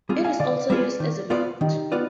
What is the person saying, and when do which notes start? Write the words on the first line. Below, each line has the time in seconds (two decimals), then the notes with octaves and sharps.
It is also used as a mulch.
0.09 G3 C4 F4 G#4
0.24 F5 G#5
0.40 D3 D5 F5
0.70 G3 C4 F4 G#4
1.00 D#3
1.30 B3 F4 B4 D5
1.61 D#3 D#4 G4
1.92 B3 F4 B4 D5